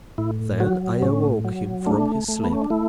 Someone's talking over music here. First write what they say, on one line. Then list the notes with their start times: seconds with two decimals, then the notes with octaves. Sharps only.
Then I awoke him from his sleep.
0.18 A2 E4
0.60 F#3 F#4
1.02 A2 C#4
1.45 F#3
1.86 A3 D4
2.28 A3
2.44 B3
2.53 C#4
2.62 D4
2.70 A3 E4